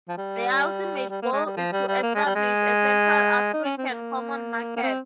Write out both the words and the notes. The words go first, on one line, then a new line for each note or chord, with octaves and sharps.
The ultimate goal is to establish a Central African Common Market.
F3
G3
G3
A#3
G#3
G3
F3
G3
G3
A#3
G#3
G3
G#3
D#4
C#4
C4
A#3
A#3
C4